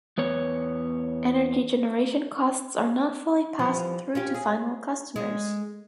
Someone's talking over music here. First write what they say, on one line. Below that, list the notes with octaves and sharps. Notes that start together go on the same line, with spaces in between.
Energy generation costs are not fully passed through to final customers.
E2 B3 C#5
E3 F3 G3
C#4 F4 G4
G#4
G#3